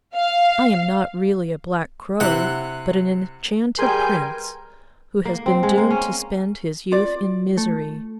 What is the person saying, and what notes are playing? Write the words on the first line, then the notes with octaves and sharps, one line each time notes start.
'I am not really a black crow, but an enchanted Prince, who has been doomed to spend his youth in misery.
F5
C3 E4 F#5
G3 G#4 A#4 B4 G5 G#5 C6 G6
A#3
C4
G#3
A#3
C#4
F4 D5
A3